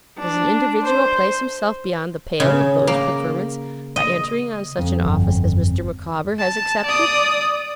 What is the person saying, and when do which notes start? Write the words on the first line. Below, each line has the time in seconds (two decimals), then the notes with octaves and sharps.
Does an individual place himself beyond the pale of those preferments by entering on such an office as Mr. Micawber has accepted?'
0.19 D4
0.82 C5
2.40 C#3
2.87 A#3
3.96 D#5
4.79 F2
5.04 G1
6.39 A5
6.85 D5 D#6